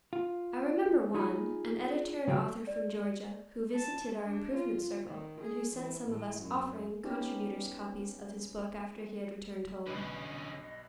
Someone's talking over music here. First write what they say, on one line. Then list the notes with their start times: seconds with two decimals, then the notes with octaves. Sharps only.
I remember one, an editor and author from Georgia, who visited our Improvement Circle, and who sent some of us "Offering" contributors copies of his book after he had returned home.
0.13 F4
1.14 D#4 F4 G#4 G#5 B5
2.27 C#3 F#3 G3 F#4 F5 G5
2.67 D5
3.74 A5
4.24 D4
4.56 F4
5.05 D#3
5.41 G#4
5.74 E3
6.09 A2
6.38 F#2
7.04 B3 C#4 D#4 G4
9.87 B1 G2 D3 C#4 B4 D#5